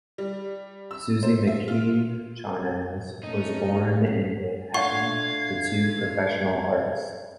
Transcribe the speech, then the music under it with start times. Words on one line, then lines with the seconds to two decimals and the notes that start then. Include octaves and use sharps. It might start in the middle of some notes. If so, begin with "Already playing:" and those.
Suzy McKee Charnas was born in Manhattan to two professional artists.
0.18 G3
0.91 E6
1.23 C5
1.47 E5
1.68 F4
3.23 A3 C#4 D#4
4.74 A3 D4 F4 F5 F#5 C#6 G#6